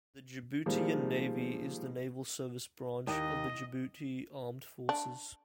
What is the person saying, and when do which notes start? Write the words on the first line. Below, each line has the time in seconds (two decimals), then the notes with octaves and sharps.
The Djiboutian Navy is the naval service branch of the Djibouti Armed Forces.
0.66 A#2 D#3 F3 G3 G#3
3.07 D#2 D#5
4.89 D4